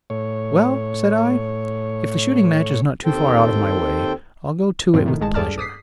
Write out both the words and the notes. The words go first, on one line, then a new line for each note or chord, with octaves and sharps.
"Well," said I, "if the shooting-match is not too far out of my way, I'll go to it with pleasure."
A2 C#5
D#2 C4 A4 C5 G5
G2 A#2 F3 C4
A2 D#3
A1 G#3 A5
G2 G#4 A4 D5 A5 F6
D6 D#6 B6 C7